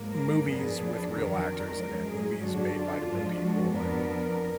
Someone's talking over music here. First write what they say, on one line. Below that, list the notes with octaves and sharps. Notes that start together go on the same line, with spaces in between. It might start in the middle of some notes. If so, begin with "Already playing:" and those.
movies with real actors in it. Movies made by real people and
Already playing: G#2 F#3 A#3
A#4
F#2 F3 B3 D4 G#4
F2 D#3 F#3 D4 A#4
F#2 F3 G#3
G#4
F#2 D3 F#3 D4 F#4
F4
G#2 F3 G#3 D4
F#4
F2 F3 B3 D4 A#4